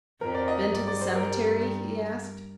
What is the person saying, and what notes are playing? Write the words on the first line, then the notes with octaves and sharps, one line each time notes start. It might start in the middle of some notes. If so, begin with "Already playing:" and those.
"Been to the cemetery?" he asked.
F2 F3 A#4
D5
D#5
D#5
G2 G3 D5
D5
C5
A#4